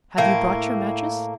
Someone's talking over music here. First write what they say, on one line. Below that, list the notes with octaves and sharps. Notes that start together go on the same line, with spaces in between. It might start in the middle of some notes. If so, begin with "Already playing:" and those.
Have you brought your mattress?
A2 A#3